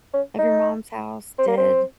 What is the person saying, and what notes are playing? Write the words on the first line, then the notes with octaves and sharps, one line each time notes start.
of your mom's house, did
C#4
D#4
C4
A#3
C4